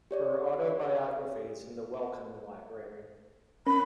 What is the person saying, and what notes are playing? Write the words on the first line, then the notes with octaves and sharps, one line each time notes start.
Her autobiography is in the Wellcome Library.
G4 C#5 D5
C#4 A#4 B5